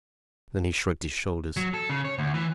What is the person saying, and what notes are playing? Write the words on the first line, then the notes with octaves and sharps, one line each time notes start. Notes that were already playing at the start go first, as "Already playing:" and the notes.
Then he shrugged his shoulders.
F#3
A4
C#3
C#5
D2
E3